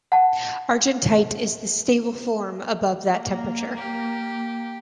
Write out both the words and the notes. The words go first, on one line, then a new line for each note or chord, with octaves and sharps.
Argentite is the stable form above that temperature.
F#5 A5
A#3
G4